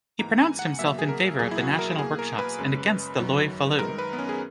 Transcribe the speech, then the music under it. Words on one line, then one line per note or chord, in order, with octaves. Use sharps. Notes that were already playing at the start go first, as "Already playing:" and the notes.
He pronounced himself in favour of the national workshops and against the loi Falloux.
G#2 E3 A#3 A#5
G#5
F#5
B2 F#3 A#3 E5
G#4
A#4
E2 B2 F#3 A#3 G#4
E4
F#4
A#4
B2 A#3 G#4
A#4
B4
F#2 C#3 G#3
F#2 D#3 F#3
F#2 D#3 G#3 A#4
B4
B3
C#4
G#4